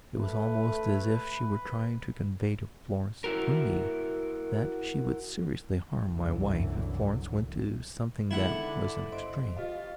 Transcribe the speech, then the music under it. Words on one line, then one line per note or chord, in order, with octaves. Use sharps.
It was almost as if she were trying to convey to Florence, through me, that she would seriously harm my wife if Florence went to something that was an extreme.
A3 B4
E4 F#4 A#4
C2 F#2 D3 E3 F#3
D3 D#3 G#3 B3 E4 F#5
G1 C5 D#5 E5 C6 D7
F4 G4 D#5 F5